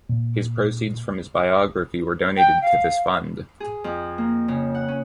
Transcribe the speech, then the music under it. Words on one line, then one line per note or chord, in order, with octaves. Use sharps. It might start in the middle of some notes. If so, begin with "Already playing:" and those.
His proceeds from his biography were donated to this fund.
A#2
G5
F5
G#4
F2
A#3
C#3
F#5
C#4